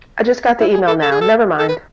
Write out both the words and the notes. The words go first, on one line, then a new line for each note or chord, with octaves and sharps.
I just got the email now, never mind!.
B3
E4
G#4
A4
A4
G#4
A4
A4
B4